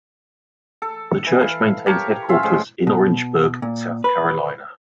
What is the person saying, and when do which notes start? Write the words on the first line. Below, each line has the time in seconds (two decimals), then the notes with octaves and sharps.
The church maintains headquarters in Orangeburg, South Carolina.
0.82 A4
1.26 E3
1.41 F5
1.86 G4 A#4 C#5 A5
2.29 C#4 F4 E5 F5
2.43 A2 F3 G#3
2.87 B2
3.62 A#2
4.04 B4